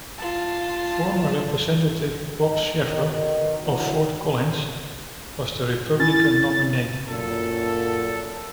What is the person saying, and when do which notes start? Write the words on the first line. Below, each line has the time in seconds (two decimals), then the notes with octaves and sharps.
Former Representative Bob Schaffer of Fort Collins was the Republican nominee.
0.18 F4 A5
2.41 D#4
2.83 B2 D#3
3.65 E3 F#3 A3 D4 F#4
6.00 C#4 E4 A6
7.09 F#2 A#2 A4